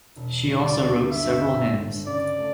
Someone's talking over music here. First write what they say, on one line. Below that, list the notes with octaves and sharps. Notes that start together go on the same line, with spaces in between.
She also wrote several hymns.
E1
G3
D5
D2
G2 E5
G1
G1
C#3 D5
A3